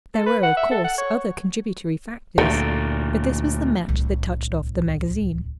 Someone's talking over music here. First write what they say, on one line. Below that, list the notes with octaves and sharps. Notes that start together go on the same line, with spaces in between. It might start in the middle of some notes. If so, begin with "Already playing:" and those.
There were, of course, other contributory factors, but this was the match that touched off the magazine.
A4
B4
F#5
E5
A4
F#5
C#5
D2 A#2 A3
D1 C2